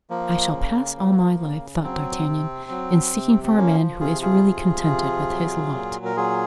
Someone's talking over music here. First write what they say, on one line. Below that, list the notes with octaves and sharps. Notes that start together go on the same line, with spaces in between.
"I shall pass all my life," thought D'Artagnan, "in seeking for a man who is really contented with his lot."
F3 A#3
C#3
F3
C#3
F#3 C4
C3
F#3
C3
C4
F3 A#3 C#4
C3 F4 G#4
F4 G#4
F3
C3
F#3
A#2
A#4
F#3 F4 G#4